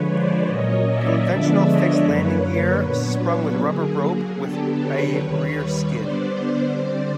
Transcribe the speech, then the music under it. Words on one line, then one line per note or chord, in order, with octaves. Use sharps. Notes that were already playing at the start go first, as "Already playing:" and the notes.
Conventional fixed landing gear, sprung with a rubber rope, with a rear skid.
Already playing: D3 F3 G#3 B4 C#5
C5 D5
A#2 F#3 A#3 C#4 C#5 D#5
D5 E5
D3 F3 G#3 B3 D4 D5 E5
C#5 D#5
F#2 D3 F#3 A#3 B4 C#5
A#2 F#3 B3 D4 B4 C#5
D3 F#3 A#3 G#4
D3 F#3 B3 D4 G4 A4
B4 C#5
D#2 D#3 G3
B4 C#5
D3 G3 B3 D4 C5 D5
C5 D5
D3 G3 C4 C5 D5